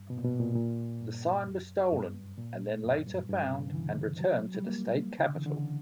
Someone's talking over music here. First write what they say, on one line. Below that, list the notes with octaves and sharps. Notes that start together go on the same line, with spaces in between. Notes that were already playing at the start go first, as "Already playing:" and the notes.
The sign was stolen and then later found and returned to the state capitol.
Already playing: G2
B2
A#2
B2
A#2
A#2
G2
F#2
G2
A#2
F#2
G2
G2
B2
C#3
D3
E3
F#3
G3
A#3
C#3
D3
E3
D3
C#3